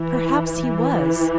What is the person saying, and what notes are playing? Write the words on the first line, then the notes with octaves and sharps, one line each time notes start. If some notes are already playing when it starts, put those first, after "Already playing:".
'Perhaps he was.
Already playing: E3
E3